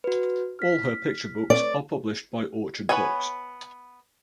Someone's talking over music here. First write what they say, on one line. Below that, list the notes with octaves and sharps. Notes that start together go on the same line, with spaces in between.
All her picture books are published by Orchard Books.
F#4 B4
F6 B6
D5
B3 B4 C#5 F#5 G#5